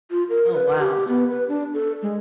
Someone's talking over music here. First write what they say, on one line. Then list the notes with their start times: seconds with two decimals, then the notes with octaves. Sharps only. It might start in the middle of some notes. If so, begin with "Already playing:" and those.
Oh, wow.
0.11 F4
0.30 A#4
0.53 B4
0.79 G4
1.08 B3
1.30 B4
1.48 D4
1.74 A4
2.02 G#3